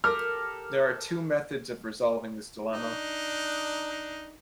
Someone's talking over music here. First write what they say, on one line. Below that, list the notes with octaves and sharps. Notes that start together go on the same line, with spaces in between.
There are two methods of resolving this dilemma.
G4 A4 A#4 F6
D4 D#4